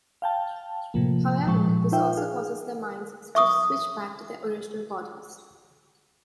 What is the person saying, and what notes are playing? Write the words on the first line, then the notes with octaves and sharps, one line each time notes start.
However, this also causes their minds to switch back to their original bodies.
F5 G5 A5
A2 C3 F3 A#3
A#2 F3 G#3 C#6
D#4 F4 C5 E5 G5
G#4 F5
E5 C#6 D#6